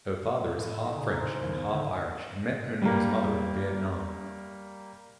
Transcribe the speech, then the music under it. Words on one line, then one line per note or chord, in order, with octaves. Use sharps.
Her father is half French and half Irish and met O'Neil's mother in Vietnam.
A2
E5
D#4
C#3
A#5
C5
D#2
B3
D3
G3 A#3